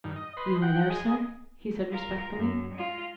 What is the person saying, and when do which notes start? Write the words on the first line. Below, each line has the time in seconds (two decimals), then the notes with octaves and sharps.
"You are there, sir?" he said, respectfully.
0.04 G2 D#3
0.16 D#5
0.37 B4 D#5 C6
0.62 F#5 G5
0.90 G#4 D#5
1.90 F4 A#4
2.35 F#2
2.74 G#3 F4